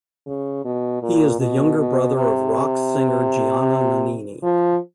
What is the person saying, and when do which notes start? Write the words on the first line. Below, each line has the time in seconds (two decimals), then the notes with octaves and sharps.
He is the younger brother of rock-singer Gianna Nannini.
0.27 C#3
0.65 B2
1.03 A#2
1.40 B2
1.78 B2
2.16 C3
4.43 F3